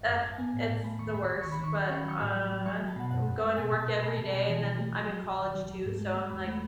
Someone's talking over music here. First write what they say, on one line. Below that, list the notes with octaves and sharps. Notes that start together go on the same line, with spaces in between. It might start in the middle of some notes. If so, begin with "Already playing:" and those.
ugh it's the worst but, uh, I'm going to work every day and then, I'm in college, too, so I'm, like,
Already playing: G#1
F#2
G#1
A5
B3 G#5
A2
A5
A2
A3 B5
D#2 C#6
D#2 B5
A1 B5
D#3 C#6
B5
D#3 C#6
F#3 B5
C#4 C#6
B5
F#3 C#6
A2 B5
F#3
F#3
F#3 C#6
B5
F#3
A5
B2 F#5
F#2 F#5
F#2
G#3
B2 G#5
B2
A5
B2
B2 B5
B2 A5
B2 G#5
E3 A5
E3
A3
F#3
F#3
B1
D#2
F#3
F#3
G#2
G#3
G#3
E2 B5
A3